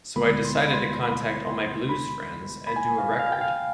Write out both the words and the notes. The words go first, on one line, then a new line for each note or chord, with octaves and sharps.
So I decided to contact all my blues friends and do a record.
D2 D3 G#3 B3 B5
C6
B5
C6
B5
C6
B5
B5
G#5
F5
F5
G5
F5